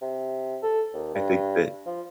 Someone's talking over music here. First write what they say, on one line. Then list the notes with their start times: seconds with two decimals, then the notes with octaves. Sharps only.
I think that
0.02 C3
0.63 A4
0.94 D#2
1.14 G2
1.86 F3